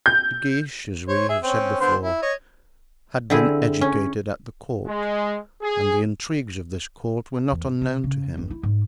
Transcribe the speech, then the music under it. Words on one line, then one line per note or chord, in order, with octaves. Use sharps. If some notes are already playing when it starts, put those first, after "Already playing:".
De Guiche, as we have said before, had been educated at the court, and the intrigues of this court were not unknown to him.
G6
C5 C#5
G#4 E5
C4 C#4
D3 B3 C5
E4
C#5 D#5
D3 C4 E4 G#4
C#4
G#3
G#4
E2
G2
C3
C#3
G1
E4
G#2